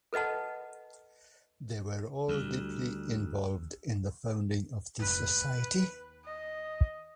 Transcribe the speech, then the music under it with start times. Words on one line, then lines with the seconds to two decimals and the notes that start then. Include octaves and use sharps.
They were all deeply involved in the founding of the society.
0.13 A4 B4 D#5 F#5 A5
2.28 D2 G3
4.99 F1 G#2 B4
5.41 D#2
6.25 D#5